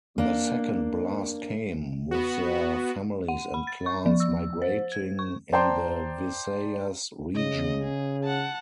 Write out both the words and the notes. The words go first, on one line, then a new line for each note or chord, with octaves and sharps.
The second blast came, with their families and clans migrating in the Visayas region.
A#3 D4
B3 F#4
F#5
B5
A6
C#6
F3
E6
C5
G#6
C#6
C5 D5 G5 A5 A#5 C6
C#3 D#5
G#4
F#5 A5